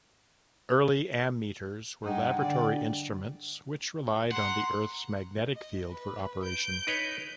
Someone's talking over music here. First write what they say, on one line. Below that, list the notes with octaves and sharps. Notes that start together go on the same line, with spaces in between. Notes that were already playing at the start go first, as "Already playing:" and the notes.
Early ammeters were laboratory instruments which relied on the Earth's magnetic field for operation.
G2 G#3 D4 D#4 F#5 G5
D3 D5
F#5 A#5 C6
D#5
B4
G6 D7
D#4 B4 C#5